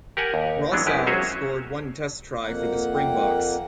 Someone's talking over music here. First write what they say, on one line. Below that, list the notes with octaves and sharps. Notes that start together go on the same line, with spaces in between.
Rossouw scored one test try for the Springboks.
G4 A#4 F#5 G#5
D#2
E3 F#3 G#3 B3 D4
F#2 G#3 E4 G4 B4
F#3 C#4 F#4 G#4 C5 C#5
F2 A#3 F#5
G5